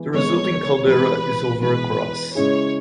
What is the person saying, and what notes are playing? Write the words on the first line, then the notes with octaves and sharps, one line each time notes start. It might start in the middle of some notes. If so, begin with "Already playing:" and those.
The resulting caldera is over across.
Already playing: E3 G#3 B3
E3 G#3 B3 C#5
E3 G#3 B3 B4
E3 G#3 B3 B4
C#3 G#3 C#4 E4 G#4 C#5